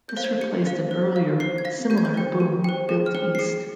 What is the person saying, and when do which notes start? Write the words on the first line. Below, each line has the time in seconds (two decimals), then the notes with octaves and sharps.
This replaced an earlier, similar boom built east.
0.09 G6
0.17 C5 F5
0.24 G#6
0.41 G4 C#7
0.66 C5 F5
0.91 C5
1.16 F5
1.40 C5 C7
1.58 G#6
1.65 F5 A#6
1.90 G4 G6
1.98 G#6
2.05 G6
2.14 C5 G5
2.40 G4
2.64 C5 G5
2.89 G#4
3.06 F6
3.15 C5 G5
3.35 C7
3.39 G#4 C#7